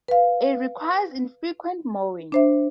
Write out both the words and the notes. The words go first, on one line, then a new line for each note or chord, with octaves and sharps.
It requires infrequent mowing.
B4 F5
D4 C5 E5